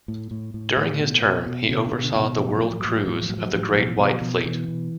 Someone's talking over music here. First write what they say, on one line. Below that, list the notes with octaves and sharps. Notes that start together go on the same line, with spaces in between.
During his term, he oversaw the world cruise of the Great White Fleet.
A2
A2
A2
A2
B2
B2
B2
B2 D3
D3
B2
D3
B2
D#3
A2 F3
F#3
F3
A2 F#3
F3
F#3
A2 F3
F#3
A2 F3
F#3
F3
A2 F#3
F3
F#3
A2 F3
F#3
F3
B2 F#3
F3
F#3
B2 F3
F#3
B2 F3
B2 E3
B2